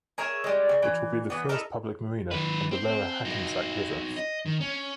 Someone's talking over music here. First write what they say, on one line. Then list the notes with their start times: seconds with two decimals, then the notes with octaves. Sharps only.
It will be the first public marina on the lower Hackensack River.
0.18 G#4 A#4 C#5 E5
0.44 G3 G#3
0.69 C#3
0.82 E3
1.30 E3 B3
1.49 D#4 E4 A4 A#4
2.31 D#3 B4
2.71 C4 C5
3.25 D#4 F#4
4.17 D#5
4.46 D#3
4.60 C#4